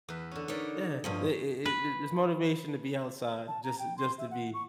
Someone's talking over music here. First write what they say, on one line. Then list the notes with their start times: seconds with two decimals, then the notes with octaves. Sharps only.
Yeah, it it it there's motivation to be outside just just to be
0.09 E2 B4
0.31 D3 C#4
0.48 D#4 G#4 A#4 B4 C#5 D5
1.04 E2 G2 F3 C#4 D#5
1.66 B4
3.48 A5
3.64 A#5
3.79 G5
3.98 C6
4.18 E5
4.31 F#5
4.54 C#6